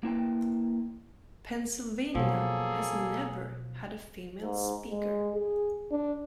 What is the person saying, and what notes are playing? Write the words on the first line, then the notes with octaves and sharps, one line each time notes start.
Pennsylvania has never had a female speaker.
A#3 E4 B4 G5
B2 F3 F#3 A#3 G#4 A4
G#2
G#3
G#4
D4